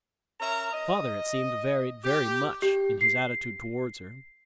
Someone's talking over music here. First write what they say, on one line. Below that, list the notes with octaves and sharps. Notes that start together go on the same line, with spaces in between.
Father it seemed varied very much in his attitude towards her.
C#4 A#4 E5 A#5
D#5
G4
G4
C7